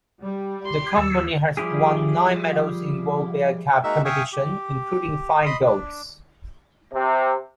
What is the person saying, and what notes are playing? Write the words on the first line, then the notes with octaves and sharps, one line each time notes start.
The company has won nine medals in World Beer Cup competition, including five golds.
G3
C6
D#2 E6
F3 G3 E4 G4 G#4
G#3 A#3 D#4 F#4 E5 E6
E5 F5 G5 G#5 C#6 D#6
G4
D#5 B5 C6 D#6
D4
C3